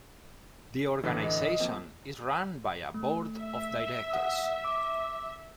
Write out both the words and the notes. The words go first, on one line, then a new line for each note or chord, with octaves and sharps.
The organization is run by a Board of Directors.
A1 D3 E3
D#5
F3 A#3 C4
A3
E5
F#5 D#6
D6